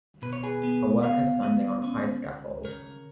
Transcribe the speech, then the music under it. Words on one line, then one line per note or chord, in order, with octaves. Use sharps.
A worker standing on a high scaffold.
B2 B4
C#5
G#4 B4
B3
B3 C#5 F5
B3
C#4
C#2
C#3 A#4 C#5